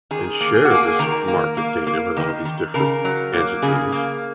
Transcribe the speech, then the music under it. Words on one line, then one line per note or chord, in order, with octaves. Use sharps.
and share this market data with all these different entities,
D#3 G#4
A#3
G#4
F#4
A#3 G#4
D#3 A#4
A#3
A#3
A#3
D#3
D#3
C#3 A#4
F#3
A#3
C#3 G#4
A#3